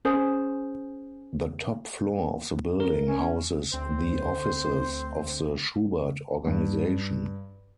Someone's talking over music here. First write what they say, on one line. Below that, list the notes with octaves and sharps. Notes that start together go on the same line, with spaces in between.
The top floor of the building houses the offices of the Shubert Organization.
C#4 G#4 C5
A#4
C#4
D2 C4 C5
G2